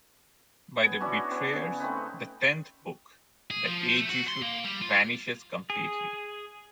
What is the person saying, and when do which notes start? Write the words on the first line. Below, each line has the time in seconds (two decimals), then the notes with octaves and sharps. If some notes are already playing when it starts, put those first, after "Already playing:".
By "The Betrayers", the tenth book, the age issue vanishes completely.
0.84 B3 G#5
1.00 C#4 D4 E4 F#4
1.31 B3
1.53 C#3
1.80 A3 C4 D#4 B4
3.51 G#4
3.65 F3
3.97 A3
4.09 F#4
4.28 C6
4.42 A#3
4.64 G3
4.82 F4
5.70 G#4